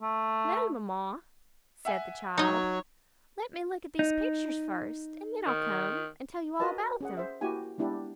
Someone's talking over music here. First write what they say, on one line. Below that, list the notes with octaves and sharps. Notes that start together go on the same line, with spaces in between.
'No, mamma,' said the child; 'let me look at these pictures first; and then I'll come, and tell you all about them.'
A3
E5 F#5 G#5
F#3 D#4 C#5 D#5 A#5 C#6
D#4
D#3
F#4 A#4 B4 D#5 A5
C#4 G#4 F#5
C5 E5
A#3 E4 F#4 G4 G#5
G#3 B3 D4 E4 G4